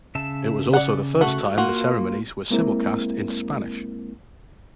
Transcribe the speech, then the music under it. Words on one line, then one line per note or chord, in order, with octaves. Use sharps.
It was also the first time the ceremonies were simulcast in Spanish.
C#3 E5 A5
D5 F#5
A3 F#4
A#3 F4 F#4
G#3 A#3 C4 E4 A#4